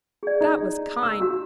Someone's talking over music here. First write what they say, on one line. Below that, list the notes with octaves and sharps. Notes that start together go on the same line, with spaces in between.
That was kind.
G#4 D5
D#4
E6
F#4 G4